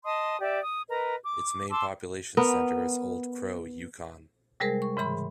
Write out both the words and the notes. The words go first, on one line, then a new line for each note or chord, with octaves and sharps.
Its main population centre is Old Crow, Yukon.
D#5 A5 C6 D#6
G4 D5 E5
D#6
A#4 B4 D#5 A#5
D6
A5 C6 D6 E6
B3 A#4
C3 G3 G#3 G#4 A#4 C5
C#6
G#2 C#3 E3 B5 C6